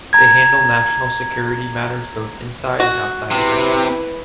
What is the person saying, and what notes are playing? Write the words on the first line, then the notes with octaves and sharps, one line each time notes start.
They handle national security matters both inside and outside the country.
A#5 G#6
F#4
C3 E4 B4